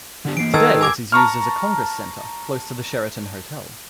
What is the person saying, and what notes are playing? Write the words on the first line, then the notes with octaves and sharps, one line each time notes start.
Today it is used as a congress center close to the Sheraton hotel.
D3 D4 G4
E3 A#3 C7 D7
D#3 A4 B4 E6 G#6
A#4 G#5 A#5 D6 G#6
A5 A#5 C#6 F6